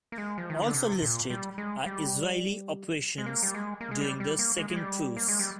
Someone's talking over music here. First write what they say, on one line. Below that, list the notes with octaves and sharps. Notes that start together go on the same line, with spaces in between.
Also listed are Israeli operations during the second truce.
A#3
G#3
F3
D#3
D3
C3
A#2
G3
G#3
G3
G#3
A#3
G3
G#3
A#3
G#3
G3
G3
A#3
G#3
G#3
G3
A#3
G#3
G3